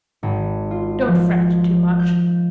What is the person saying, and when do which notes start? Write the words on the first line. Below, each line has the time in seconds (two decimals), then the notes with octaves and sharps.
Don't fret too much.
0.23 G#1
0.71 F4
1.08 F3
1.99 G6